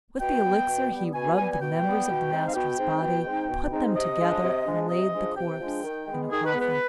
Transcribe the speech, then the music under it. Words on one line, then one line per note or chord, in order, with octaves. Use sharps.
With the elixir he rubbed the members of the master's body, put them together, and laid the corpse in a coffin.
B2 G5
G3 B3
B2
G3 B3
B2 G#5
G3 B3 G#5
G#5
B2 G5
G3 B3
B2
G#3 C4 D#4
F5
B2 G5
G#3 C4 D#4
B2
G#3 C4 D#4
B2
G#3 C4 D#4
C3 D#5
F3 G#3 D4
C3
F3 G#3 D4
C3 D#5
F3 G#3 D4
C3 G5
F3 G#3 D4
D#3
G#3 B3
D#3 G#4
B4
G#3 B3
B4